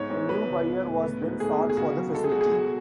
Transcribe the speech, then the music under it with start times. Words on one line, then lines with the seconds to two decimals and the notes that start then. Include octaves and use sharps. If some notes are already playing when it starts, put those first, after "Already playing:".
A new buyer was then sought for the facility.
Already playing: G#2 B3 C#5
0.10 G#2
0.29 B2 B4
0.48 C#2
0.66 B3
0.85 A2
1.03 B3
1.22 G#2
1.40 A3 G#4
1.59 B2
1.70 G#4
1.77 C#3 F#4
1.97 F#3
2.15 G#3 A4
2.24 G#4
2.32 B2 F#4
2.41 G#4
2.52 F#3 F#4